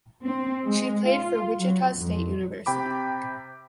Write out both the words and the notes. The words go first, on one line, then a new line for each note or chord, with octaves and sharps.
She played for Wichita State University.
C4
G#3
F4
F#3
F2
C3 G5 B5 D6